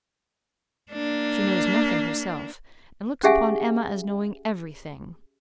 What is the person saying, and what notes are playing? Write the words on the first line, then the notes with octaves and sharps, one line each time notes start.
She knows nothing herself, and looks upon Emma as knowing every thing.
A#3 D4
C#4 G4 G#4 E5 F#5 G#5